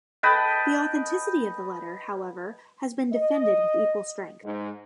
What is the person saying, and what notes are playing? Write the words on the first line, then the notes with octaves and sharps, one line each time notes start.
The authenticity of the letter, however, has been defended with equal strength.
B4 D#5 G5 A5
D#5
G#2